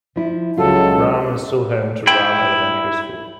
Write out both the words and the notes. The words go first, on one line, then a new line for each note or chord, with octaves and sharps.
Rhame is still home to Rhame Elementary School.
F3 E4
C#2 F#3 F4 A4
E4 G5